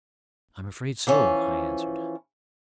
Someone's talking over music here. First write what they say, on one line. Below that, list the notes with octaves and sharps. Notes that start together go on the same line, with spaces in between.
"I'm afraid so," I answered.
E3 F3 C#4